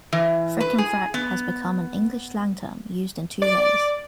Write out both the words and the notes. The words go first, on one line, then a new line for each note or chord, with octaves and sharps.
"Frick and Frack" has become an English slang term used in two ways.
E3
B4
G#4
B3
D5